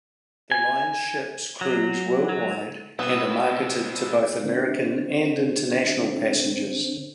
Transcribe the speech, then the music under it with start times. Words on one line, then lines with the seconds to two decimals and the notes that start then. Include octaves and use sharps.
The line's ships cruise worldwide and are marketed to both American and international passengers.
0.52 G#5
1.61 F#3
2.29 F#3
2.99 B2 B3 C4 E4 E6
4.44 D3 C4